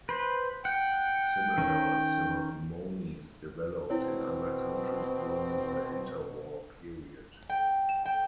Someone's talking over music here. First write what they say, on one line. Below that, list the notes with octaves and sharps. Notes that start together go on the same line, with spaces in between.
Similar ceremonies developed in other countries during the inter-war period.
B4 C5
F#5 G5
D#3 C#4
B2 C4 E4 C#5
G5
E7
G5